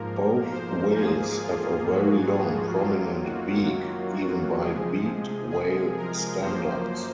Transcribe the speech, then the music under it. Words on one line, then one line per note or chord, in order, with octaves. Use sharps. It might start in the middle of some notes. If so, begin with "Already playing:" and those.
Both whales have a very long prominent beak, even by beaked whale standards.
Already playing: G#2 F3 A#3 A#4
C5
G#2 F3 A#3 G#4
F4
F#4
G#4
F#2 D#3 F#3 A#3 F4
F#4
F#4
C3 F3 G#3 G#4
G#4
A#4
F#2 F3 A#3 C5